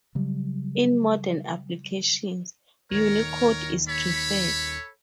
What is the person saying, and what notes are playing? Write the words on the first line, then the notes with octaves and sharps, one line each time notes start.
In modern applications, Unicode is preferred.
C#3 F#3 G3
D#1 D#3 A#4 C#5
A4 C#5 B5